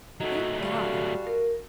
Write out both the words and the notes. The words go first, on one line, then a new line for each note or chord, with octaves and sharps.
Thank God!
F#3 A3 D#4 F#4
G3 F#4 A4 F5
A#4